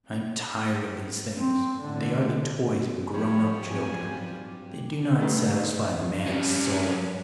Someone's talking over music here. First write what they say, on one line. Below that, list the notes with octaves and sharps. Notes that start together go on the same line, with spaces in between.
I am tired of these things; they are the toys of grown-up children; they do not satisfy the man's soul.
C4
A2 D3
C#3 F#3 B3
G#2 F3 G3 C#5
A#2 F#3 C4 G#5
G2 G4
G2 G3 A3 B3 D#4
G3 C#4